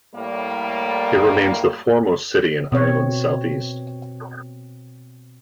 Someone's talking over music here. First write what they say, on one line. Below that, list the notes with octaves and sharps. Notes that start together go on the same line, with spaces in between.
It remains the foremost city in Ireland's south-east.
A2 G3 A#3
B2 C4 C#5